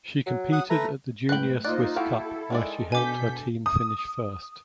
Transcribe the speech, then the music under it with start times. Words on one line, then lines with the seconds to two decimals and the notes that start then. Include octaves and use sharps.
She competed at the junior Swiss Cup where she helped her team finish first.
0.26 F#3
0.52 F#5 D#6
0.70 A3 B4 A#5
1.29 A2 F#3 G#3 B4 G5 F#6 F#7
1.64 A#3 D#4 F4 C5 D5 D#5 F#6
1.96 E4 F#4 G4 A4 F5
2.50 D#3 G#3 D5
2.92 B2 D4 A4 G#5 D6 G6 B6
3.66 D#6